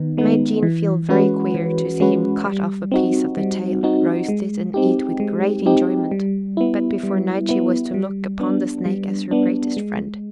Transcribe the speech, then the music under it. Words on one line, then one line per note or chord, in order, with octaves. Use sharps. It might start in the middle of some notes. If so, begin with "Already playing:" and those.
It made Jean feel very queer to see him cut off a piece of the tail, roast it and eat with great enjoyment, but before night she was to look upon the snake as her greatest friend.
Already playing: D#3 B3 D#4
G#3 B3 D#4
E3
G#3 C#4 F#4 B4
E3
G#3 C#4 F#4 B4
G3
C4 D#4 F#4
G3
C4 D#4 F#4
G#3
C4 D#4 G4
G#3
C4 D#4 G4
G3
B3 E4
G3
B3 E4
G3
B3 D4
G3
B3 D4
G#3